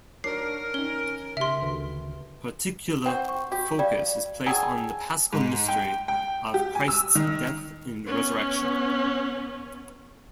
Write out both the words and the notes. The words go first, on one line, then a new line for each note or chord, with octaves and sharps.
Particular focus is placed on the paschal mystery of Christ's death and resurrection.
D4 D#4 F#4 A#4 C#5 C7
D#3 C#4 G7
C#3 G4 E5 C6
D2 D#3 B4
C4 F#4 F#5 G5
C#6
F#4 G4
G3 D5 F5
F#3 G#4 A4 G5 A#5 E6
G#2
G5
G5
G4
G#5
E6
D#3
B3 C#4